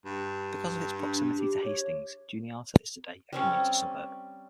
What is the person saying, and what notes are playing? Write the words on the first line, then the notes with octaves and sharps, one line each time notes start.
Because of its proximity to Hastings, Juniata is today a commuter suburb.
G2
D4
G4
C#5
G3 C4 C#4